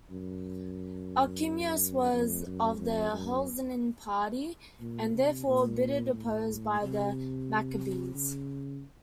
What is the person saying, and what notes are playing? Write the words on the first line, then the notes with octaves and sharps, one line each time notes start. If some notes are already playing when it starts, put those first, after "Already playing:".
Alcimus was of the Hellenizing party, and therefore bitterly opposed by the Maccabees.
F#2
F2
F#2
F2
F#2
A#2
C3
A#2
A2
C3
C#3